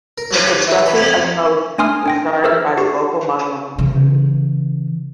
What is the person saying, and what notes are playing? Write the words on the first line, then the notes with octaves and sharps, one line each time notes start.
The construction of the mosque was started by the local Muslim community.
A#4
F#3
G4
E3
B4
F2
A3 D4 G#5 C6 D#6 F6
D4 G5 A#6
G#4 A#4 C5 E5 E6 F6
F#4 G4
C#3 E3